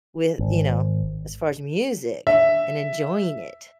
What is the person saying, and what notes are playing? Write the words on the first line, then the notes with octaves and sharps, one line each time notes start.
with you know, as far as music, and enjoying it?
G#1
E5